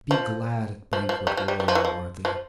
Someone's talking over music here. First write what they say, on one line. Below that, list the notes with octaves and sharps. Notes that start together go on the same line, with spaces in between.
Be glad at banquet, warrior worthy!
F3
F3
F3
G3
F3
G3
G3
F3
E3
F3
F3